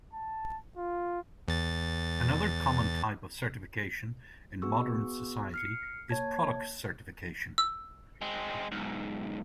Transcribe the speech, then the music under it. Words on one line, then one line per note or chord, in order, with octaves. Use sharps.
Another common type of certification in modern society is product certification.
A5
F4
E2 A6
B3 F#4 G#4 C#6 E6
F6 C7 C#7
A#3 C#5 A5 G#6
E6
G#3 C4
B1 G#2